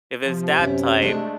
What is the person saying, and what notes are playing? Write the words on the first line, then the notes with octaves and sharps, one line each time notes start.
if it's that type,
C3 F3
F#2 C#4 E4
G#3 A3 D4